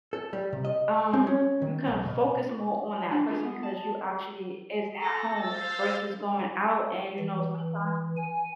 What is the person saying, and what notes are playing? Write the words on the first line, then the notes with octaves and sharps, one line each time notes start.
um, you can focus more on that person because you actually is at home versus going out and you know, sometimes
A4
G3
C3
D#5
C4
C#4
D#3
B1
B2
D4
C#4 F4 G#4
B3
A5
A4 A#6
C5 F5 E6 A6
E3
G#5